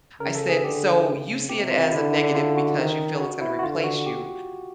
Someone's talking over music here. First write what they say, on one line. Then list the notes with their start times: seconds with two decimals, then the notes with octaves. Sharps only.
I said, "So you see it as a negative because you feel it's gonna replace you,
0.20 C#3 A#4
0.35 A4
0.49 G#4
0.63 D3 G4
1.07 C#3
1.49 C3 G4
1.70 F4
1.92 D3 E4
2.35 F4
2.57 F#4
2.77 D#3
3.21 F#4
3.41 E4
3.59 F#4
3.63 D3 F4
3.84 F#4
4.06 G4